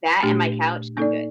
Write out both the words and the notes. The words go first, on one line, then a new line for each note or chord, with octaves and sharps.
That and my couch, I'm good.
A#2 A3 D4 G4
A#3 D#4 A4 D5